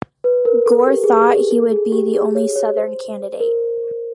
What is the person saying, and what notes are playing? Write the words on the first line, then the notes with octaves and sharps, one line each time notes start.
Gore thought he would be the only Southern candidate.
B4
A#4
A4
G4
G#4
G#4
G4
A4
G#4
G4
G#4
C#5
C#5
C5
A#4